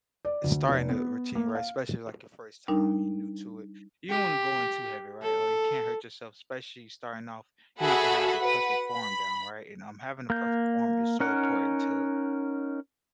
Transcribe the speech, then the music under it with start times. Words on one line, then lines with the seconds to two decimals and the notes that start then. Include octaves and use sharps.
starting a routine, right? Especially, like, your first time, you're new to it. You don't wanna go in too heavy, right, or you can hurt yourself, especially starting off. You're not gonna have the perfect form down, right? And, um, having a perfect form is so important to,
0.25 D5
0.44 D2
0.69 F1
0.89 B3
1.35 A#3
1.55 F5
2.68 G3 D4 D#4 A#4
4.10 G4
5.22 A4
7.81 F#4 G#4 A4 E5 F#5 B5
8.40 B4 F#5
8.91 B5
10.30 A#3 G6
11.20 C#4 D#4 A#4 F#5